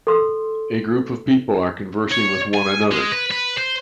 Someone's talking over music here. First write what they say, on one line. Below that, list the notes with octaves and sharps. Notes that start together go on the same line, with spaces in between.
A group of people are conversing with one another.
A4 C6 E6
C#5
G#5
G#3
B4
B4
C5